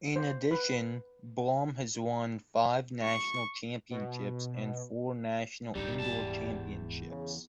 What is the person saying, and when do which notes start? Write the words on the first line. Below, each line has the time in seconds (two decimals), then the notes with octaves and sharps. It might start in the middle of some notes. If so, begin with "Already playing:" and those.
In addition, Blom has won five national championships and four national indoor championships.
0.16 C5
0.51 B4
3.04 C#6
3.91 B2
5.75 D#1 G#2 D3 G3 D#4
5.99 E2 A5
7.11 C#3